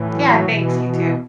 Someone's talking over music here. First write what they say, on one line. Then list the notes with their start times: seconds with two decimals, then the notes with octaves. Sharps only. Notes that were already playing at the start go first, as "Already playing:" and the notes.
Yeah, thanks, you too.
Already playing: A2 E3
0.10 F#3
0.45 B2 E3
0.80 E3